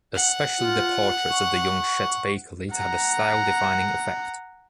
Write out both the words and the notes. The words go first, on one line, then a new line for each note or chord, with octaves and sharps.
Especially the portraits of the young Chet Baker later had a style-defining effect.
F#5
F4
C#6
F#5 A#5